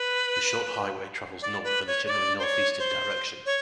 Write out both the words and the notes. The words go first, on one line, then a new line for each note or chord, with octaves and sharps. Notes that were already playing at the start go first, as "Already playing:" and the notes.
The short highway travels north in a generally northeastern direction.
Already playing: B4
D5
B4
C#5
C#5
D5
C5
C#5
C5
C#5